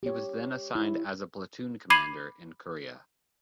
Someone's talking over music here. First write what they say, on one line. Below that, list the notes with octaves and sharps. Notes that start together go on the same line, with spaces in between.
He was then assigned as a platoon commander in Korea.
G4 C#5
E4
B5 D6 G#6 C7 D#7 F#7